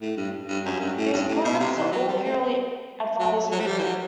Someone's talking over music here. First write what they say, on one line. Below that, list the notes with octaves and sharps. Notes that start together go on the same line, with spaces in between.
These appointments are all purely advisory.
A2
G2
G2
F#2
G2
A2
G2
A2
B2
C3
E3
F#3
G3
A3
F#3
F#3
A3
G3
E3
F#3